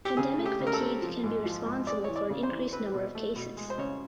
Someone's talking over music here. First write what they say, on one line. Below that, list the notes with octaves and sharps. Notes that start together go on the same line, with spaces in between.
Pandemic fatigue can be responsible for an increased number of cases.
G4
C#3 G#4
A3
G4
C#3
A#4
A4
C4
F3
G#2
F3
G#2
G#3 D5
E3 C#5
D5
C#3
C5
E3
C4 B4
B2
A3
B2
G#3
C5
C#3 C#5